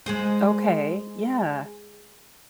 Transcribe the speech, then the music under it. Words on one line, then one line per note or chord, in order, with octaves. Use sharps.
Okay, yeah.
G#3 G#4 C5